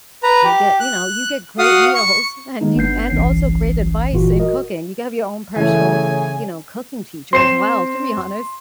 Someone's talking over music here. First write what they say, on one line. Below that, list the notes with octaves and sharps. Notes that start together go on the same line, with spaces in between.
I get you know, you get great meals, and you and also great advice in cooking. You can have your own personal, you know, cooking teacher as well, to be honest.
B4 A#5
G4
F#6
F#4 F5 D#6
C#6
D#3 G#3 A#3 B3 D#4
G1 B3 D4 G6 C7
G1 C2 E3 C#4 C7
G1 A#2 E3 F4 F#4
F#4 A#4 D#5
C#3 E3 A3 G#5
C4 C6 C7 E7